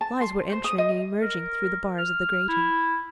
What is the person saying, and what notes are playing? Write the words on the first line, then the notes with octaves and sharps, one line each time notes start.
Flies were entering and emerging through the bars of the grating.
A5
C6
C5
D#6
D#5
A#4
F6
E4